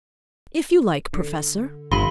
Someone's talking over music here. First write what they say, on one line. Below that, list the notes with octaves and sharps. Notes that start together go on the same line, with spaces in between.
"If you like, professor."
D3
G1 F3 D4 F4 G4 B5 C6